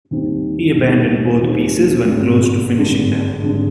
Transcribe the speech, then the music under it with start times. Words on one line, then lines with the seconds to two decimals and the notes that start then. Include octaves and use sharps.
He abandoned both pieces when close to finishing them.
0.11 D#2 D#3 G3 C4
0.77 D#2 D#3 G3 C4
1.43 D#2 D#3 G3 C4
2.09 G#1 G2 D3 G#3
2.76 G#1 G2 D3 G#3
3.42 G#1 G2 D3 G#3